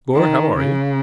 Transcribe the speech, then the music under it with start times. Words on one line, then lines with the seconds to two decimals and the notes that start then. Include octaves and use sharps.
Gore, how are you?
0.14 D#3
0.57 C#3